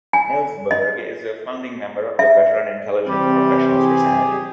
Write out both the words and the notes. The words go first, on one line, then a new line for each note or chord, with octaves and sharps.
Ellsberg is a founding member of the Veteran Intelligence Professionals for Sanity.
G#5
D#5
E5
C3 E3 G3 C4 G4
G#4